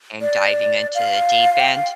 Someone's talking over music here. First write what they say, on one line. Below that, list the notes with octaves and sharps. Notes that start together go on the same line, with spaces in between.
and diving into the deep end.
D5
F5
G5
F5